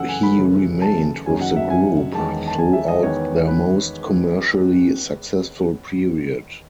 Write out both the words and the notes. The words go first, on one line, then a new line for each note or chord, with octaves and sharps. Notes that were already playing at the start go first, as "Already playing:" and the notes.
He remained with the group throughout their most commercially successful period.
Already playing: F#2 C#3 E3 A3 F#5 E6 F#6
G#5
B5
F#2 C#3 E3 A3
A5
F#1 F#2 D#3 F#3 G#5
F#5
E5
G#5
E1 E2 D#3 G#3 A5
A5
G#5
E5
D#5
E2 D#3 G#3 B3 C#5
B4